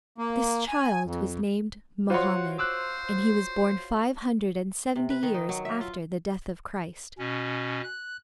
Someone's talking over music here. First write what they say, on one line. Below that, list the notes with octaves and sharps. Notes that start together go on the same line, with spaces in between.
This child was named Mohammed, and he was born five hundred and seventy years after the death of Christ.
A#3
G#5
F2
F4 F#4 C5 C#5 F#5 C6
C5 D6 E6 F#6
C3
B4
D#3
D#4
F#3
E5
F4
B2 C#4
F#6